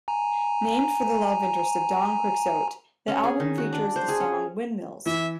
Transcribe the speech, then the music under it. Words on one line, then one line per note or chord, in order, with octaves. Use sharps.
Named for the love interest of Don Quixote, the album features the song Windmills.
G#5 A#5
C#4
G#4
D#3
F#4
D4
C5
G#4
C#4
E3 E5